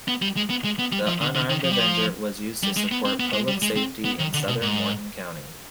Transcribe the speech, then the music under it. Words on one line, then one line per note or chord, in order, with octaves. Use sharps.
The unarmed Avenger was used to support public safety in southern Morton County.
B3
G3
G#3
B3
G#3
B3
G3
F3
D3
D3
D#3
F3
G3
F3
G3
G#3
B3
C4
B3
G#3
G3
G#3
C4
B3
D#3
D3
B2
G#2